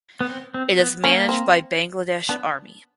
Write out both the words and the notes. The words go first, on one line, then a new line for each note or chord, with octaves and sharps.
It is managed by Bangladesh Army.
B3
C4
C4
B3
A#3 C#4
C4
B3 D4